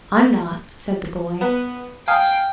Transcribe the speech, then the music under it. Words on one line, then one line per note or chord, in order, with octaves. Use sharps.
"I'm not," said the boy.
B3 B4
F5 G5 G#5 D#6